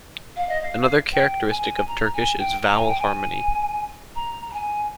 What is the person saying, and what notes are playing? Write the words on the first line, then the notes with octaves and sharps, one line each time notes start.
Another characteristic of Turkish is vowel harmony.
F5
D#5
F5
G5
G#5
A#5
G#5
G5
A#5
G#5
G5
G#5
A#5
A#5
G#5